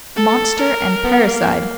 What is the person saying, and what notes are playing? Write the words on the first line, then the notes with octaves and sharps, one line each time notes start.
Monster and parricide!
A4
A#4
B3
A#3